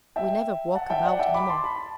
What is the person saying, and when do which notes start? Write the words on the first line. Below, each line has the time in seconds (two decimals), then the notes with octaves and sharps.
We never walk about any more.
0.16 E5 G5
0.75 F#5 A5
0.90 E5 G5
1.05 D5 F#5
1.19 E5 G5
1.34 B5 D6
1.49 A5 C6
1.64 B5
1.76 A5